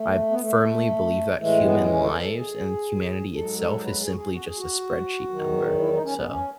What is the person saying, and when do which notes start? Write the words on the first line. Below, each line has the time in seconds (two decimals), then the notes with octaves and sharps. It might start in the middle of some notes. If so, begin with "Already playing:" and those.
I firmly believe that human lives and humanity, itself, is simply just a spreadsheet number, so
Already playing: A3
0.31 B3
0.41 A3
1.38 A2 E3 G#3 A3
1.64 B3
1.87 C#4
2.04 A4
2.20 A4
2.36 G#4
3.34 G#2 F#3 A4
3.59 A4
3.83 B4
3.99 G#4
4.10 F#4
4.16 G#4
4.32 F#4
4.46 G#4
4.58 F#4
5.30 E2 D#3 F#3
5.79 E4
5.91 D#4
6.03 C#4
6.16 B3
6.28 C#4